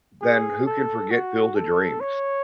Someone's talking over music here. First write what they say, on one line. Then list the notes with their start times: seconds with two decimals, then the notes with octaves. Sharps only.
then who can forget Field of Dreams?
0.21 G#4
0.66 A4
1.11 F#4
1.56 A4
2.00 C#5